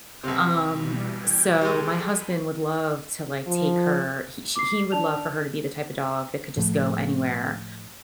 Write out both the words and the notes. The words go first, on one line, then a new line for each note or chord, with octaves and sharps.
Um, so my husband would love to, like, take her he she he would love for her to be the type of dog that could just go anywhere.
B1 C3
B2 E3 G3
G5 G#6
G3 G#3 G#4 A4 G5
B5
F3
D6 C7
D4 D5 A5 F7
A2 F3 A3